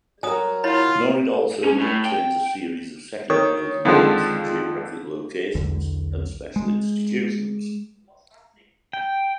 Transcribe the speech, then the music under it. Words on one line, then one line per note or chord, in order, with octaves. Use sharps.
Norid also maintains a series of second-level domains for geographic locations and special institutions.
F#3 F#4 A#4 G#5 D#6
E4 F4 C#5 B5
C#4
A2
G5
D#3 C#5
F2 D3 D#3 F3 G#3 F4
B1 E2 D3
G#3
G5